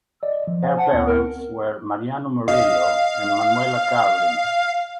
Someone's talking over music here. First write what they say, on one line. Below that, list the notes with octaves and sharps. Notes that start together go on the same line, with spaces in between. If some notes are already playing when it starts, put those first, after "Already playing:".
Her parents were Mariano Murillo and Manuela Carlin.
D5 D#5
F3
C5 F#5 G#5
F#5 A5
D2 B3 C4
A#4
D#5 F5